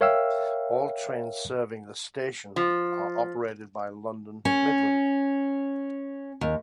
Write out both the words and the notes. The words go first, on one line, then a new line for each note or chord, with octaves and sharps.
All trains serving the station are operated by London Midland.
A#4 C#5 E5 F5 G5 E6
F3
C#4
D#2